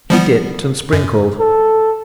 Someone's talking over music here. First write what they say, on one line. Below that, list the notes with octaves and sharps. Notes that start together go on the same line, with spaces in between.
He dipped and sprinkled.
F3 G3 B3
F#2
A4